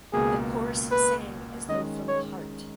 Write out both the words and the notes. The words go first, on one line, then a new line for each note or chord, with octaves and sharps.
The chorus sang as though from the heart.
C#2 B2 A#3 G#4
B4
D#3 G#3 C#4 G#4 D#5
C#5